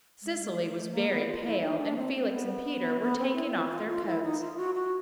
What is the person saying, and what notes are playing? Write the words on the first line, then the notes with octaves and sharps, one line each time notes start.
Cecily was very pale, and Felix and Peter were taking off their coats.
G#3
G#3
A3
A3
A#3
B3
F4
E4
D#4
D4
C4
C4
B3
B3
C4
E4
F4
E4
F4
F4
E4
D#4
F4
F#4
F#4